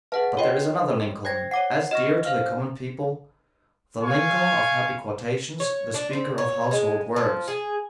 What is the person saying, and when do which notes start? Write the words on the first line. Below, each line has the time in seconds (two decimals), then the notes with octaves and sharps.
But there is another Lincoln as dear to the common people--the Lincoln of happy quotations, the speaker of household words.
0.12 G#4 B4 E5 F#5 A5
0.37 F4 C#5 D#5 G5 C6
1.25 G#4 C5 G5 G#6 A#6
1.51 C#5 F#5 D6 C7
1.91 F#4 D#5 C#6 F6 A#6
2.25 C5 F5 F6
4.03 F5 G#5 C#6
5.60 C#5
5.94 D4
6.13 C4
6.38 C#5
6.71 G#3
7.16 F3
7.48 G#4